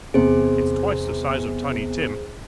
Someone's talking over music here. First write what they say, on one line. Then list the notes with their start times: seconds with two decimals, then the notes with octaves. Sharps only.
It's twice the size of Tiny Tim.
0.14 E2 C3 G#4 C5